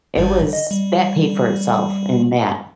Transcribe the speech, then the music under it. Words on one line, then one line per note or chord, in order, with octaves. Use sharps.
It was that paid for itself in that.
G#1 G#2 G3
D#5
G3